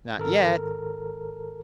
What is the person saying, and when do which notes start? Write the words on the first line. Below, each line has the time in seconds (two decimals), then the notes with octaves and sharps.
"Not yet."
0.18 G#1 A4 A#4